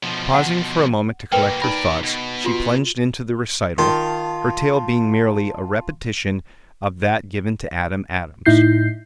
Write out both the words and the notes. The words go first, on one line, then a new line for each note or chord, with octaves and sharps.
Pausing for a moment to collect her thoughts, she plunged into the recital, her tale being merely a repetition of that given to Adam Adams.
B2 F3
F#5
B2 A#3 A#4 B4 G5
D#4 A#4 D5 B5
B2
F4 F#4
D#3 F4 A5
A2 D#4 E4 G6 C7